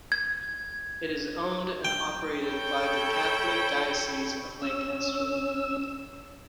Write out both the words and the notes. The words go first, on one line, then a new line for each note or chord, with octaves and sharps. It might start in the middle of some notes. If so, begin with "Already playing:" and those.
It is owned and operated by the Catholic Diocese of Lancaster.
G#6
G5
A4 C#5 G5 B5
C#4 E6